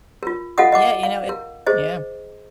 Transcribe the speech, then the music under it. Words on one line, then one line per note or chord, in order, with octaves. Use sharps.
Yeah, you know, it yeah.
F4 A#4
F4 A4 D#5 F5 F#5 D#6
D#5 F#5 D6
F5
A#4
G#4 C5 D#5